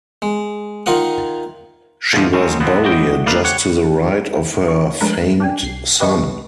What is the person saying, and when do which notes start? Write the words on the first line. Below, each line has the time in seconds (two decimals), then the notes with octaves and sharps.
She was buried just to the right of her famed son.
0.22 G#3
0.86 D#3 F4 A#4 F#5 D#6
2.13 F2 G#2 B2 D3 E3 F3
2.33 F#3 G#3 A3 C4 C#4
2.60 D3 F3 B3 C4
2.84 G#3 E4 F#4 D5 D#5 G5
3.26 A3 A#3 D#4 B4 D5 F5
3.44 G4 C#5 F#5
4.68 C#6
5.01 F3 G#3 A3 D4 A#4 B4
5.40 D4 G5 G#5
5.63 C2 C7
6.00 G4 B4 D#5 C#6